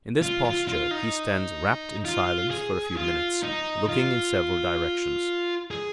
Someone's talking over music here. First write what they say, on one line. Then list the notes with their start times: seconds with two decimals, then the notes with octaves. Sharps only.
In this posture he stands rapt in silence for a few minutes, looking in several directions.
0.22 F4
0.45 F4
0.68 F4
0.91 D#4
2.05 F4
2.51 G#4
2.97 F4
3.43 D#4
3.89 F4
5.71 G#4